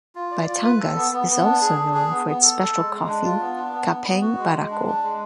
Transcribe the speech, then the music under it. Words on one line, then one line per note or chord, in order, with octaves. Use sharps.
Batangas is also known for its special coffee, "kapeng barako".
F4
D5
F4
B4
A4
B3
B3
B3
D4
G#4
D4
G#4
B3
B3
A4
A4
G#3
G#3
D4
F4
B3
D4
B3
B3
B3
F#4
G#3
G#3
D4
D4
G#3